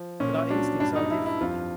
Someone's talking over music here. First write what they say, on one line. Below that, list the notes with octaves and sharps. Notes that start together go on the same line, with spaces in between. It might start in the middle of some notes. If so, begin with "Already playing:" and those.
But our instincts are different.
Already playing: F3
A#2 C#4
F#3 D4
G2 D4
D#4
D#4
G2 E4
E4
F2 F4